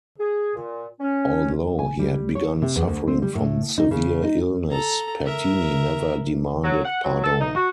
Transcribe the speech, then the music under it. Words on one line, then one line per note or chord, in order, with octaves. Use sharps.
Although he had begun suffering from severe illness, Pertini never demanded pardon.
G#4
A#2
C#4
G#5
G3
C#5
C3
E2
D2
C4
G3
A2
D#4
C#3
D#4
A4 A#5
A#4 E5
F#3
F#5
F#3
A4
D#4
F#4